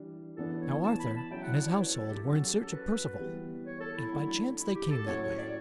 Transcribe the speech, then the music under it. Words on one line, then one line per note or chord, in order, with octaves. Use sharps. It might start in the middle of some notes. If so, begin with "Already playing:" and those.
Now Arthur and his household were in search of Perceval, and by chance they came that way.
Already playing: E3 G3 D4
E3 B3 D4 A4
C#5
A5
B5
A5
F#3 C#4 E4 G5
F#5
D5
C#5
B4
A4
G4
F#3 C#4 F#4
A4
G4
A4
B4
E3 G3 B3
C#5
A4
E4
F#3 A3 D4 F#4
E4
G4
A4
A2 F#3 C#4 F#4 C#5
C#5
D5